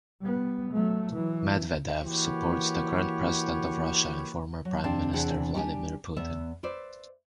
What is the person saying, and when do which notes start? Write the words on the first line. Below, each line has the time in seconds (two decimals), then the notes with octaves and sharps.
Medvedev supports the current President of Russia and former Prime Minister Vladimir Putin.
0.21 G3 B3
0.71 F#3 A3
1.13 E3 F#3
2.05 E3 A#3 F#4 G4 B4 C#5
4.65 F#3
4.84 F2 C3 C4 D4 F5 A5
5.13 E2 C3 E3 D4 G#4 F#5
5.54 G3 D4 G4 G#5
6.16 E2 B3 E5
6.63 B4 C5 D5 E5